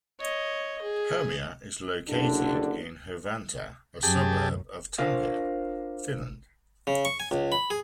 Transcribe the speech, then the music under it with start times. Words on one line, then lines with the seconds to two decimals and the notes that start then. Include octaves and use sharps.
Hermia is located in Hervanta, a suburb of Tampere, Finland.
0.20 C#5 D#5
0.82 G#4
2.09 F#1 D3 D4
4.03 F#2 G4 G#4 A5
4.98 D4 F4 A#4 C5 F5
6.87 C#3
7.05 C#6
7.20 G#5
7.31 C#2
7.52 B5
7.70 G#4